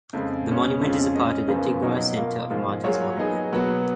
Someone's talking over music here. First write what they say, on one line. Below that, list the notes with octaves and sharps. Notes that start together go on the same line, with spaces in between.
The monument is a part of the Tigrai Centre of Martyrs Monument.
F2 C#3 G#3
B2 G#3 C#4
F2 C#3 G#3 C#4 F4
G#3 C#4 G#4 D#5
F#2 C#3 F3 B3 F4
B2 F#3 A#3 D#4 A#4
B2 A#3 F4
G#2 F3 G#3
F#3 A#3 F4 G#4 C#5
F#3 B3 D#4 G#4 D#5
B2 F#3 B3 F#4